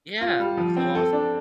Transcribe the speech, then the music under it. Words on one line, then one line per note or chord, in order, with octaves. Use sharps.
Yeah, that's so awesome.
F4
G3
F3
C4
A4
D4